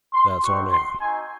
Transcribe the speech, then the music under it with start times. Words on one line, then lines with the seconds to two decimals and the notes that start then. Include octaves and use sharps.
That's our man.'
0.13 C6
0.42 C4 D#4 F#4 C#6
0.72 C6
1.01 C4 D#4 F#4 G#5